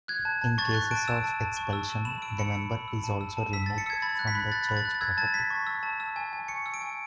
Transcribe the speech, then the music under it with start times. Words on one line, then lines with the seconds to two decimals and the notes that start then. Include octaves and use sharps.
In cases of expulsion the member is also removed from the church property.
0.08 F#6 G#6
0.25 A5
0.41 A5
0.58 C#6 A6
0.74 F#6
0.91 A5 D7
1.08 E6 E7
1.24 A5
1.40 A5
1.57 C#6
1.73 E6
1.89 A5
2.05 B5 E7
2.22 E6 D7
2.38 B5 C#7
2.55 E6
2.72 B5
2.88 E6
3.04 A5
3.21 E6
3.37 A5
3.53 E6 B6
3.66 A5 A6
3.78 C#7
3.86 E6 G#6
4.02 B5 A6
4.19 F#6
4.27 B6
4.35 B5
4.52 F#6 A6
4.69 B5
4.77 A6
4.85 F#6
4.95 A6
5.01 E6 G#6
5.17 A5 A6
5.34 A5 B6
5.50 C#6
5.67 E6
5.83 A5
6.00 E6
6.16 G#5
6.33 G#5
6.48 C#6 C#7
6.66 E6
6.74 D7
6.81 G#5